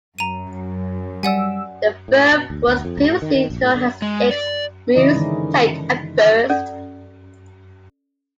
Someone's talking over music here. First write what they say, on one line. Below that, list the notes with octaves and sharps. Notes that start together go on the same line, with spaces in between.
The firm was previously known as Hicks, Muse, Tate and Furst.
F#2 A#5 D#7
G3 D5 F#5 G#5 E6
A2
B2
D2
D2
F2
C#2
A2
D#3
D#3
A#1
A2
D3
G#3
D5
C#3 E3 E4 D5 D#5
D3 D#3 G#3 C#4 D#4
C#4 A4 D5